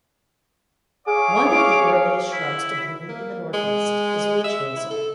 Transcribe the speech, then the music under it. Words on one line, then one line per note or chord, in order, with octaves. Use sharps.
One of the earliest shrubs to bloom in the Northeast is witch hazel.
G#4 C#5 F5 D6
E4
A#3
G#3
E5
E4
A4